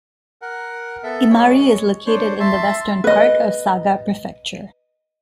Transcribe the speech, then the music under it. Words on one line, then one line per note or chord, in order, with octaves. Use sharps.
Imari is located in the western part of Saga Prefecture.
A#4 F#5
B3 A4 E5
G#3 C#5
D4 C5 C#5
E5 A5 C6
B4 D#5